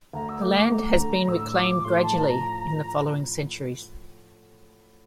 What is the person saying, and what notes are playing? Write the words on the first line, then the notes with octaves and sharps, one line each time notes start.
The land has been reclaimed gradually in the following centuries.
D2 A#5
E6
A3 D6
D6
A3 A#5
D3
A2 E6
F3 D6
A2 C6
A5
F3
A#5